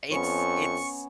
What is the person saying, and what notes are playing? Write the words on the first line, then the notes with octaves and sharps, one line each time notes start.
It's it's
F2 B3 C#4 C#5 C#6